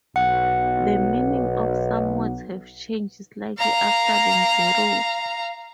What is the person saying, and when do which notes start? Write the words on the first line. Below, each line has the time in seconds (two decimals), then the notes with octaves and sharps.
The meaning of some words have changed slightly after being borrowed.
0.16 B1 F#5
3.58 F5 A#5